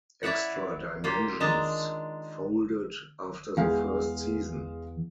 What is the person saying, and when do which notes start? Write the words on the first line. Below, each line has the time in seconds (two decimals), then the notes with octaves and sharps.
"Extra Dimensions" folded after the first season.
0.23 E4 C#5 D5 E5 F#5
1.04 A#3 F4 G4
1.40 D#3 G#3 D4 A5 A#5
3.57 E2 G#3 F5